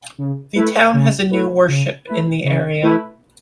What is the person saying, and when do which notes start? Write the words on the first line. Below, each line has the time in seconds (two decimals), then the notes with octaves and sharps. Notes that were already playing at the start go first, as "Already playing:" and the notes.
The town has a new worship in the area.
0.18 C#3
0.55 A3 E4 B4
0.94 C#3
1.31 A3 E4 B4
1.68 C#3
2.07 A3 E4 B4
2.45 C#3
2.82 A3 E4 B4